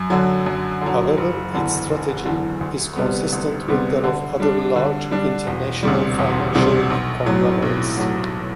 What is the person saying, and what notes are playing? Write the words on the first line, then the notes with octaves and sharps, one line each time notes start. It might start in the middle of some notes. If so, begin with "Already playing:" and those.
However, its strategy is consistent with that of other large, international financial conglomerates.
Already playing: F#2
D3 F#3
F#2
D3 F#3
F#1
E2 D3
F#1
E2 D3
D2
C3 G3 B3
D2
C3 G3 B3
D3
G3 D4
D3
G3 D4
E1
D2 C3 G3
E1
D2 C3 G3
B1
A2 F#3
B1
A2 F#3